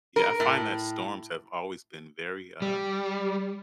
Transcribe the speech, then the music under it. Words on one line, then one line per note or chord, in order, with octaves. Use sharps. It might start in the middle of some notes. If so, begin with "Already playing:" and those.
Yeah, I find that storms have always been very, uh,
A#4
A2
G3